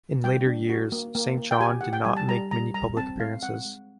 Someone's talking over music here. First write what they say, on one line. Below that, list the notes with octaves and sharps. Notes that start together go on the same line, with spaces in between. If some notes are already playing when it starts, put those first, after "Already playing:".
In later years, Saint John did not make many public appearances.
G3 G5
D4
F#4
A#3
A#3
A#3
G5
G4 G#5
G4 F#5
G5
G3 G#5
A5
G3 A#5
G3 A#5
G3 A#5
C4 A5
G#3 F5
C4 F#5
G#3